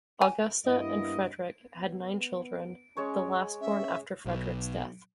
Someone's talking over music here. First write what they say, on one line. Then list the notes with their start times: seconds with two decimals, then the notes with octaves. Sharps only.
Augusta and Frederick had nine children, the last born after Frederick's death.
0.21 G#5
0.65 G2 A#3 B3 E4 D#5
1.76 B3
2.97 G#3 C#4 C#5 C#6
3.61 C#4 E5
4.25 B1 B2